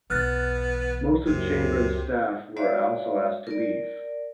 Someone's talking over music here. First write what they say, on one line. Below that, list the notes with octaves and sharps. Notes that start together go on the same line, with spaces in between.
Most of Chambrin's staff were also asked to leave.
B1 E2 B3 F6 F#6 A6
F#1 C#2 F#2 C3
G#3 F#4 C#5 D5 E5 F5
A#4 D5